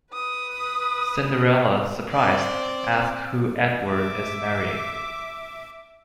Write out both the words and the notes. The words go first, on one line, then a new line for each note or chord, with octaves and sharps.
Cinderella, surprised, asks who Edward is marrying.
B4 D#6
C4 D5
E5 D6